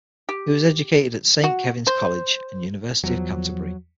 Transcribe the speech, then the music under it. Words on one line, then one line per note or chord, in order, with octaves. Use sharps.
He was educated at Saint Kevin's College and University of Canterbury.
G4
F#4
C5
E2 F3 F#3